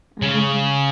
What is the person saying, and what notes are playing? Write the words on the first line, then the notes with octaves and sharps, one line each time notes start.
I know.
C#3